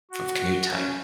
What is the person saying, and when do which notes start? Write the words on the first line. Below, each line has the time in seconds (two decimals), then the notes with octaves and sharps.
f of commute time,
0.11 F#4
0.70 C#4